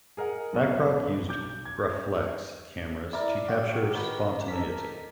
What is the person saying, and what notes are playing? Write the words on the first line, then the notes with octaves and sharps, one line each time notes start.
Bachrach used Graflex cameras "to capture spontaneity".
G#4 A#4 D#5 F#5
B1 F#2 B3 C#6
B1 D6 G6
G#6
E4 A#4 D5
F#4 C#5 G5
D#3 F#4 B4
A4 A#4 B6